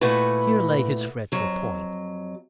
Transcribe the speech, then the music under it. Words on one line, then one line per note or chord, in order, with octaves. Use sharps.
Here lay his fretful point.
A#2 A3 E4 F#4 B4
F2 F#3